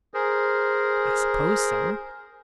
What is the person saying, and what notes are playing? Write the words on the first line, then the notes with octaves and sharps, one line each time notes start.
"I suppose so."
G#4 A#4 C5